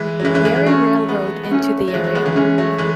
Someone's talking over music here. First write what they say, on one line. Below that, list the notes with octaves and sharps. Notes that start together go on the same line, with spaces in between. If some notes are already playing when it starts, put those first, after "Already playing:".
Marie Railroad into the area.
Already playing: E3 G#3
F#3
E3 G#3 C#4
E3 G#3
E3 G#3
E3 G#3
F#3 A3 C#4
G#3 B3
B3
F#3 A3 C#4
F#3
E3 G#3
F#3 A3
G#3 B3
C#3 E3
E3 G#3 C#4
F#3 A3
E3 G#3